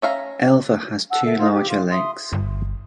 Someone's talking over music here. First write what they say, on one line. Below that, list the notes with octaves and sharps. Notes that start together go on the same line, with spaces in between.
Elva has two larger lakes.
C#4 E5 F5 A#5
F#5 A5 E6
A4 E5
D#4 F4 A#4 C5
G4
F4
E5 C6 D#6
G1